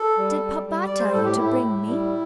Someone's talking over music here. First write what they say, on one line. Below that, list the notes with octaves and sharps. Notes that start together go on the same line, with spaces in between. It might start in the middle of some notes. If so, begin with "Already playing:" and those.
"Did papa tell you to bring me?"
Already playing: A4
G3
G3
G3
G3 D5
C5
A2 A4
G4
A2 E4
A2
G3